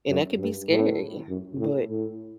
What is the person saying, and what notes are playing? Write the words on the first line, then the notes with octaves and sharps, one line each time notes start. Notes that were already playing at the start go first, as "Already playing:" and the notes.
and that could be scary, but,
F#2
G2
A2
F#2
A2
A2